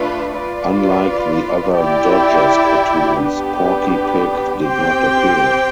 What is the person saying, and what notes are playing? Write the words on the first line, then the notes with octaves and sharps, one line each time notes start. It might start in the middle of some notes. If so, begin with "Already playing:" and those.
Unlike the other Dodgers cartoons, Porky Pig did not appear.
Already playing: A3 D4 F4 B4
F4 B4 D5
E4 G4 D5 G5
B3 D4 G4 B4
C4 G4 C5 G5